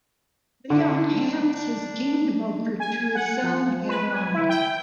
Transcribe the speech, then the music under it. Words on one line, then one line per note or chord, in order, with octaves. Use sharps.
Leon hands his kingdom over to his son, Gellard.
D3 D4
G#5
F#5
F3
B4
G#5
E4
G5